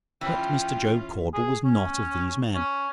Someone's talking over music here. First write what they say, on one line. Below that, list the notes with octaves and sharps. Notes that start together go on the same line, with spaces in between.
But Mr. Job Caudle was not of these men.
E3 C#4 F4 G5
G#4
C#4
C#4